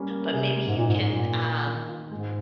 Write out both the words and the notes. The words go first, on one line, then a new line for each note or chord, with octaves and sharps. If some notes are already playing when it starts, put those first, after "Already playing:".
but maybe you can, um
Already playing: G3 A#3 C#4
A#3
C3 G#4
G#3
G#2
A#2 D#4
G#2
G#2 G#4
A#2
A#3
F4
D#3
F4
G#2 G#3